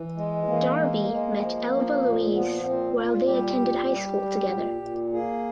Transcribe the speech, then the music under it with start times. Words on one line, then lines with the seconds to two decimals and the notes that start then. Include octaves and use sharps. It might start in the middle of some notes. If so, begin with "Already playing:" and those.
Darby met Elva Louise while they attended high school together.
Already playing: E3
0.17 G#3
0.47 E3 A#3
0.79 G#3
1.10 G#3
1.41 F3
1.72 F3
2.03 A#2
2.34 F3 B3
2.65 A#2 C4
2.95 A#2 F4
3.26 G3 G4
3.57 A#2
3.89 G3
4.20 G3
4.51 A#2
4.82 A#2
5.13 A#3 G#4